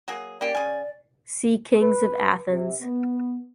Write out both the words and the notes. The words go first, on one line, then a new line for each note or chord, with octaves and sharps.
See Kings of Athens.
F#3 A#3 G#4
A#3 C#4 G4 D5
C#3 G#5
B4
C3
B3